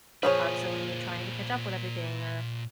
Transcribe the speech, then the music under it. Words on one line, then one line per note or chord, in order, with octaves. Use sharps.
constantly trying to catch up with everything or,
A#2 F3 G#4 B4 C#5